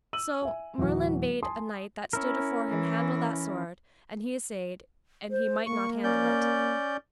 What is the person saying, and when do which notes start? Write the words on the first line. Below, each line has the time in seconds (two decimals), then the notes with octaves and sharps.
So Merlin bade a knight that stood afore him handle that sword, and he assayed, and he might not handle it.
0.13 E6 D#7 F#7
0.42 E5 G#5
0.78 D1 E3 F#3 F#4
1.43 G#5 A5 C6 D#6
2.13 C#4 E4 A#4
2.68 E3
5.31 C5
5.66 A#3 C#6
6.04 C#4 D5 G6